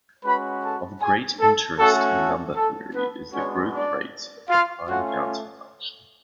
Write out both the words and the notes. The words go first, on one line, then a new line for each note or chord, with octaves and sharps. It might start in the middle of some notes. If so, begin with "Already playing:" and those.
Of great interest in number theory is the growth rate of the prime-counting function.
G#3 C#4 F#4 B4 B5
A4 A5
G#4 G#5
A4
A3 C#4 F#4 A4
A4
A4
B3 B4
G#3 B3 C#4 D4 F#4 C#5
D4 D5
F4 F5
A3 C#4 F4 F#4 F#5